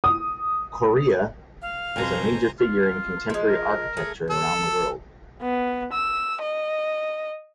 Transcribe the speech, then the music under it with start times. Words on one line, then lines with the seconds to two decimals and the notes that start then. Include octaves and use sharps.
Correa was a major figure in contemporary architecture around the world.
0.04 D#6
1.62 F5
1.96 F2 B2 C5 G#5 A#5
2.59 F4
3.30 F3 G#3
3.49 A#4
3.97 A3 G#4
4.30 A4
5.41 B3
5.92 E6
6.41 D#5